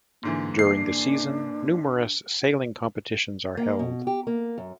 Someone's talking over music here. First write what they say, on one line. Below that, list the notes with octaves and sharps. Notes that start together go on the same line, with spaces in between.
During the season numerous sailing competitions are held.
G#2 D3 E3 A#3
D4 C7
A#3
B2
G4
A#3
F#2